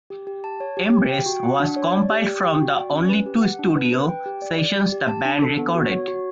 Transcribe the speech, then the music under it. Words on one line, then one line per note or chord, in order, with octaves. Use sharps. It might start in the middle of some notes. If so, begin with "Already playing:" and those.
"Embrace" was compiled from the only two studio sessions the band recorded.
G4
G4
A5
C#5
G4
G4
G5
F#4
F#5
D4
C#5
D5
G4
G4
G5
F#4
D5
C#4
B4
G4
F#5
D4
B4
B4
G5
G4
D5
D5
G4
G4
A5
D4
A4
B3
F#4
C#5
F#4